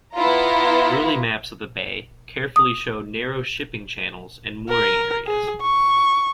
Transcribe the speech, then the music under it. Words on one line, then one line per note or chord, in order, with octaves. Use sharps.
Early maps of the bay carefully show narrow shipping channels and mooring areas.
B3 E4 F4 A#5
D#6
A#4
G#4
C#6